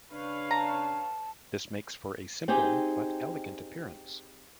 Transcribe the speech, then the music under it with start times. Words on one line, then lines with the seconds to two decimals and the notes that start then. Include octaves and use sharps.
This makes for a simple but elegant appearance.
0.12 C#3 D4 B4 C#5 F5
0.51 A5 A#5
2.48 C4 D#4 G4 G#4